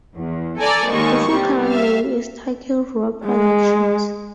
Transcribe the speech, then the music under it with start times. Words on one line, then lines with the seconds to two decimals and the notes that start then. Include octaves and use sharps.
The full current name is Taki Rua Productions.
0.16 E2
0.60 A4 D5 G#5 A#5
0.90 D#2 G#3 A#3 C#6
1.29 C3 G3
1.69 E5 F5
3.26 G#3